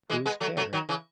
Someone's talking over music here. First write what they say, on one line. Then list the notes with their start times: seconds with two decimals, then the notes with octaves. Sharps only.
"Whose care?"
0.10 E3 G#3
0.26 G#3 B3
0.41 F#3 A3
0.57 F#3 A3
0.73 D#3 F#3
0.89 C#3 E3